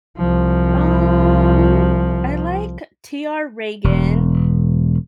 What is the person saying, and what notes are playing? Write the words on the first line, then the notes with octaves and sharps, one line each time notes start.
Um, I like, T. R. Ragan.
C2 F3
E1